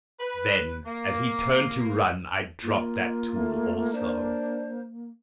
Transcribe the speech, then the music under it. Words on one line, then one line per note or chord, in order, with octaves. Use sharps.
Then, as he turned to run, I dropped that tool also.
B4
A#3
A#3 F4
A3
D4 C5